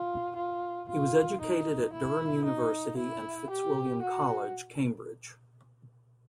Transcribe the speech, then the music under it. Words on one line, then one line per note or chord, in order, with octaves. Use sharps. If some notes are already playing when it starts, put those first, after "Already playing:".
He was educated at Durham University and Fitzwilliam College, Cambridge.
Already playing: F4
F4
F4
D#4
E4
D#4
E4
G4
F#4